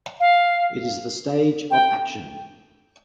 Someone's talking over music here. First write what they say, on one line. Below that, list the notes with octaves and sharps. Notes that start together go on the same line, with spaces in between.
It is the stage of action.
F5
G5